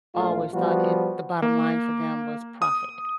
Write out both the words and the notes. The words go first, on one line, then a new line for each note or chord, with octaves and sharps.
always thought it the bottom line for them was profit,
A#1 A3 F4
F3 G3 B3 F#4
A#3
D#6